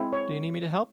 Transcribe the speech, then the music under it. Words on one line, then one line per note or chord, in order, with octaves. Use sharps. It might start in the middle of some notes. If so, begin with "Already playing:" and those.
Do you need me to help?
Already playing: G#3 C4 E4
C#5